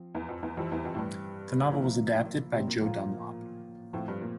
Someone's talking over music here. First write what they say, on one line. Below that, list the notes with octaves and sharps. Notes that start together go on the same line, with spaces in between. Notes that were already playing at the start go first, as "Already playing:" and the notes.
The novel was adapted by Joe Dunlop.
Already playing: F3 C4
E2
F2
E2
F2 E3 G3 C4 E4
E2
F2
A2
G2
F3 A#3 E4
A2
A#2
C3
A#2
A2 F3 A#3 F4
A2 F3 A3 C4
G2
A#2